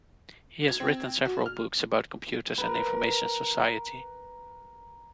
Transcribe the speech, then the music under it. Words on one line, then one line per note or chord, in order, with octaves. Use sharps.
He has written several books about computers and information society.
G#6
C4
F#4
F6
A#4 B4